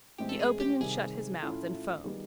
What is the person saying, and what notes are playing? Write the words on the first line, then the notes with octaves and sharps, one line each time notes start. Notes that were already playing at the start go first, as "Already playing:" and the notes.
He opened and shut his mouth and foamed.
A2 E3 G#3 C4 G4
A4
G#4
G4
C3 D#3 G3 G#4
A2 F3 A3 C#4 E4 F4
D#3 G3 B3 D#4 G#4